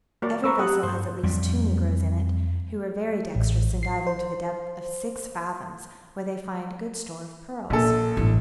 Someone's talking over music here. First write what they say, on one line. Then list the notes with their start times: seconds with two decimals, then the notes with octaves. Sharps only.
Every vessel has at least two negroes in it, who are very dextrous in diving to the depth of six fathoms, where they find good store of pearls.
0.22 A#3 F#4 D5
0.44 A3 A4 B4 A#5 C#6 E6
0.59 G4 F#5 D#6 F#6
0.83 G2 C5
1.23 F2 G3
3.35 A1
3.83 C7
4.07 C5
7.70 A#1 A#2 A4
8.17 A1 G2